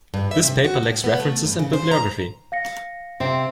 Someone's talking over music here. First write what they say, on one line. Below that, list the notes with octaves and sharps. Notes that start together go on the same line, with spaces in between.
This paper lacks references and bibliography.
G2
E5
C3
F#4
A2
B3
A3
G2
C#3
C5
A#5
F5 A#6 C#7
C3 C4